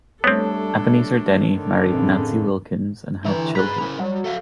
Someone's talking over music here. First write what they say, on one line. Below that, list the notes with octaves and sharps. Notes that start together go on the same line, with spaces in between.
Ebenezer Denny married Nancy Wilkins and had children.
G3 A3 B3 C4 D4 A4 C#5
D3 D#3
F2 A2 C#3
D3 E3 A#5
G#4 B4 A#5
C#4 E4 A#4
F#3 G3
A4 E5 F5